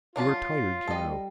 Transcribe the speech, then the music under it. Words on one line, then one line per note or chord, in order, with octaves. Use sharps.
You are tired, you know.
F#3 D4 F4 A5
G3 A4 D#5